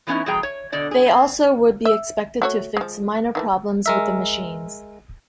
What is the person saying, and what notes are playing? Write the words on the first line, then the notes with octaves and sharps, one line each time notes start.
They also would be expected to fix minor problems with the machines.
E3 F#3 B3 C#4 D#4 E4
E2 B2 G3 G#4 G5 A#5
C#5
B2 D3 D5 D#5
G#4
C4
E5
A3 F#4 C#5
F3 G#3
D#3 E3 A3
G#3 A#4 E5